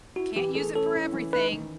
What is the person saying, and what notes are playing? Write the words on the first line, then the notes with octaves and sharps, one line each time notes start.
Can't use it for everything
E4 F#4
E3 G4
A3 G#4
C#4 A4
E4
E3
D#4 B4
D#3